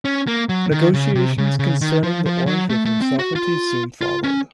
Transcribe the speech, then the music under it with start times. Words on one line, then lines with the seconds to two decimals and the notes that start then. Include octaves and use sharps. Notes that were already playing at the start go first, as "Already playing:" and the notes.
Negotiations concerning the Orange River Sovereignty soon followed.
0.05 C#4
0.27 A#3
0.49 F#3
0.71 D#3
0.94 C#3
1.15 C3
1.38 C#3
1.59 C#3
1.81 D#3
2.03 F3
2.26 F3
2.47 F#3
2.70 A3
2.85 A3
3.02 C4
3.19 F#4
3.35 F4
4.01 F4
4.24 C#4